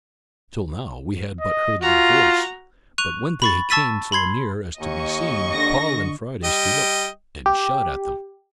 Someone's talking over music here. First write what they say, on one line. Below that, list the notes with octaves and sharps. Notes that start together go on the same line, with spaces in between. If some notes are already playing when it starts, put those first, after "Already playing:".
Till now, we had but heard their voice, but when they came so near as to be seen, Paul and Friday stood up and shot at them.
D#5
F4 F#4 A#5
C#6 F#6 D#7 F7
B5 C#6 A6
A5 C#6 E6 A6 B6 D#7
B5 C6 G#6 C7
D#2 D#5 C#6
D3 A#6
G3 D#5 G5
G4